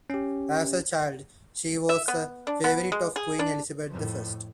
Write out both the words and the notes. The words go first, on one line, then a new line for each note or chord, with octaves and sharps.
As a child she was a favourite of Queen Elizabeth the First.
C#4 G4
E5
B3
D4
B3
G#3
G#4
D4
F2 A2